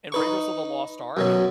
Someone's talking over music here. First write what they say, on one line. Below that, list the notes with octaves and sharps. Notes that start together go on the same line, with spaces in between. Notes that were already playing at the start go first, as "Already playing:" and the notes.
In Raiders of the Lost Ark,
D#4 B4 C#6
F#2 B2 F#3